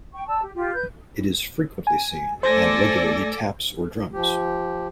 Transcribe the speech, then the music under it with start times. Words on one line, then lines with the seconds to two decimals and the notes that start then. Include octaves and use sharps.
It is frequently seen, and regularly taps or drums.
0.14 G5 C#6
0.27 D5 A5 E6
0.42 G4
0.56 F4 G4
0.74 B4 G6
1.87 G#5
2.43 A3 A4 C5 D5 G#5 A#6
4.13 F3 G4